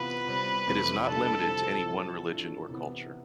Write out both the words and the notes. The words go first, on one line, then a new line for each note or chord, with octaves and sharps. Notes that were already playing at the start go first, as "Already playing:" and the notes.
It is not limited to any one religion or culture.
Already playing: C3 E3 B3 F4 B4
C3 G3 C4
F2 C3 E3 A3
C3 G3 D4 A4
C3 F3 C4 E4
A2 F3 C4 F4
A2 E3 A3 D4 F4
C3 E3 B3